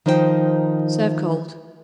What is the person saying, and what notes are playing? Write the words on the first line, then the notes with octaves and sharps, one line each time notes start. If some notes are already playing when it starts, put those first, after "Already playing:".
Serve cold.
D#3 F3 D#4 C5 C#5 G5